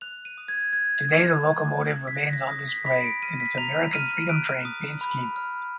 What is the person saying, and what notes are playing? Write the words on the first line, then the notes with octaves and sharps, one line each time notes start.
Today the locomotive remains on display in its American Freedom Train paint scheme.
F#6 F7
D#7
D#6
G#6
F#6 G#6
D#6
F#6
D#6
B6
F#6 A#6
A#6
D#6
B6
B5 B6
D7
F6 D#7
B6
A#5 F7
F6 D#7
F#6 D7
D#6
B5
F6